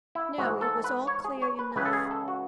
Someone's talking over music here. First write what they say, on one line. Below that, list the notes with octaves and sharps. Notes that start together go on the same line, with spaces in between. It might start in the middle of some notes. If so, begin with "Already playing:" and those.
No, it was all clear enough.
E4
G#2 E3 F#4
A4
B4
C#5
G#4
C#5
B4
C#2 C#3 E3 B4
A4
G#4
A4
F#4